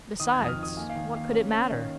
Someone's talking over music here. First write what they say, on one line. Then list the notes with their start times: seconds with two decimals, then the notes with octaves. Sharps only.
Besides, what could it matter?
0.20 D#3 D#6
0.34 G#6
0.39 F2 D#6
0.48 F6
0.58 D#3 D#6
0.77 A#3 G#5
0.90 F5
0.96 D#3
1.14 A#3 F5
1.33 C#4
1.52 C#4
1.72 D#3